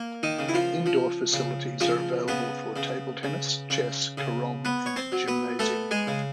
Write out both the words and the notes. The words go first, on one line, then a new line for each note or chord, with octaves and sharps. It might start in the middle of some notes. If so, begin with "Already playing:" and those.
Indoor facilities are available for table tennis, chess, carom and gymnasium.
Already playing: A#3
D#3 D#4
C#3
E4
F3 F4
F3
C#3
C#3 F3 F4
C#3 B3 B4
C#3
C#3
C#3
C#3
B3 B4
C#5
C4 C5
F#3
B3 B4
A3 B3 A4
G#3 G#4
C#3